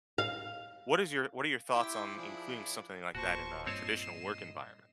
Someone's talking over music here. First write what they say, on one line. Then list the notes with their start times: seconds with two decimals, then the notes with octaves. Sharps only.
what is your what are your thoughts on including something like that in a traditional work environment?
0.18 F5
1.73 C4 E4 G4 G5
2.17 F3 D4 E4 G#4
3.15 D1 A#2 F#4 C5 A5 C#6
3.66 G2 A#2 C4 C#5 D#5 A5 C7 E7